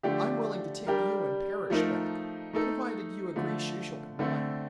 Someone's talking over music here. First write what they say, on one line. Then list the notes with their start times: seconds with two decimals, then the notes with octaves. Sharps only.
I'm willing to take you and Parrish back, provided you agree she shall be mine.
0.03 D3 F3 A3 D4 G4
0.87 G3 D4 G4 A#4
1.70 F3 A3 D#4 A#4
2.53 A3 D#4 A4
3.36 D3 F3 A3
4.19 D3 A3 C4